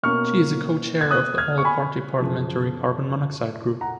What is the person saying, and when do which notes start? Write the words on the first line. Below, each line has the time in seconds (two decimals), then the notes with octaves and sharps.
She is a co-Chair of the All-Party Parliamentary Carbon Monoxide Group.
0.03 B2 A#3 C#4 C#6 F6
1.01 G#6
1.11 D#6 F#6
1.38 F6 G#6
1.58 C#6
1.65 G#5 B5
2.20 F#2 C#3 F3
3.81 F#5 A#5